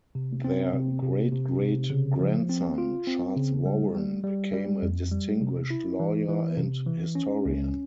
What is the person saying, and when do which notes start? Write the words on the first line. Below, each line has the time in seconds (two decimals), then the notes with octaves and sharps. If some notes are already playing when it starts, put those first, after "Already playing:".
Their great-great grandson, Charles Warren became a distinguished lawyer and historian.
0.15 C3
0.44 C4
0.74 C3
1.03 C3
1.32 C3
1.61 C3
1.90 C#3
2.19 F3
2.49 C4
2.78 F4
3.07 C4
3.37 C#3
3.66 G3
3.95 G3
4.24 G3
4.53 G3
4.82 F2
5.12 G3
5.41 C3
5.70 E4
6.00 E3
6.29 E3
6.57 C3
6.87 E3
7.15 C#4
7.46 C#2